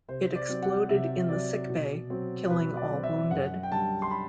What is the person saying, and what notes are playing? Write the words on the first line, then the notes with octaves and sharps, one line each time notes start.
It exploded in the sick bay, killing all wounded.
C3 C5
D5
F#3 C4
F#5
C3 E5
F#3 C4 D5
B2
F#3 C4
B2 B4
D5
F#3 C4
E5
F#2 F#5
G5
D3 G3 A5
C6
B5